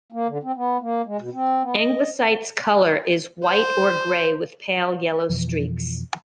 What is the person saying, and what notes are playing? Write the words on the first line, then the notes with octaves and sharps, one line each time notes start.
Anglesite's color is white or gray with pale yellow streaks.
A#3
D3
C4
B3
A#3
G#3
B2
C4
B3
D#5
C5
F2 B2 E3 F3